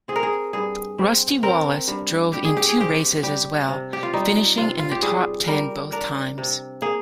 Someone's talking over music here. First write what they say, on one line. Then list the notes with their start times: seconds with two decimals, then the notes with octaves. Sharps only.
Rusty Wallace drove in two races as well, finishing in the top-ten both times.
0.08 C4 G#4
0.16 A#4
0.23 G#4
0.53 G2 G#4
0.98 C4
1.43 C4 A#4
1.88 G2
2.33 G2 G4
2.45 G#4
2.57 G4
2.69 G#4
2.78 C4 G4
3.23 G3 G4
3.68 C3
3.93 G4
4.03 F4
4.13 G3 D#4
4.57 C3 F4
4.79 F4
4.91 G4
5.02 G3 G#4
5.47 G3 A#4
5.92 D4 A#4
6.38 C3
6.82 A#3 G#4